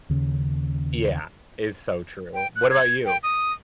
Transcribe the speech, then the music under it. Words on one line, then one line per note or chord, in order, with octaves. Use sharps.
Yeah, it's so true. What about you?
D#2 C#3 C#4
G5
F#6
G#6
G5
D#6